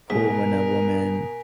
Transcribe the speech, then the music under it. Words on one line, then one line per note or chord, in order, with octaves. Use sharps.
cool when a woman
G#2 B2 A#4 G#5 B6